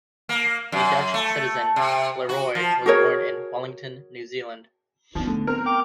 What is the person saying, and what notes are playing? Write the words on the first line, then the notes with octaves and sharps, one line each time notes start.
A Dutch citizen, Leroi was born in Wellington, New Zealand.
A#3
F#2
A3
C3
F#4
F3
F#4 G#4 A#4 C#5
F3 B3 D#4
D3 A3
C4 A#4 F6
G5 D6 F6